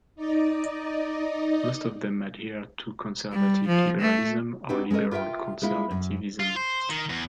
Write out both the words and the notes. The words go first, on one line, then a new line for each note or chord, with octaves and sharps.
Most of them adhere to conservative liberalism or liberal conservativism.
D#4 D5 D#5
G3
F3
A3
C4 D4 D#4 F#4 G4 B4
G#3 C#4 A4 A#4 D#5
F4 A#4 E5 F5 G5
G#3 A#3 E4 F4
F#2
F4
C5
D#3
E2